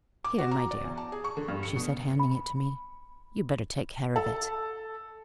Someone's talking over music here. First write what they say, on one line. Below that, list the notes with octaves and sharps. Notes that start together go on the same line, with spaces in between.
'Here, my dear,' she said, handing it to me, 'you'd better take care of it.
D6
F#4
A#5
D5
E2
A5
G#4
C#6
D3
G2
C#7
B2
B5
A4